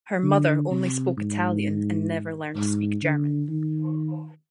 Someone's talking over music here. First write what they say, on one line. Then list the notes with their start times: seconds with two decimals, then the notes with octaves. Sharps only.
Her mother only spoke Italian and never learned to speak German.
0.23 D3
0.71 C3
1.17 G#2
2.55 G#2
3.03 D3
3.49 D#3